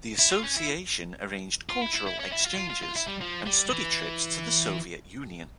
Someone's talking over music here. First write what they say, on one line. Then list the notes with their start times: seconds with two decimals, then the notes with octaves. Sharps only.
The association arranged cultural exchanges and study trips to the Soviet Union.
0.19 E4
0.31 F4
0.44 C#4
0.57 E4
1.69 F4
1.82 E4
1.95 E4
2.07 E4
2.20 C#4
2.32 E4
2.45 F4
2.57 F4
2.70 F4
2.83 F4
2.96 E4
3.07 G3
3.21 F3
3.46 G3
3.71 E3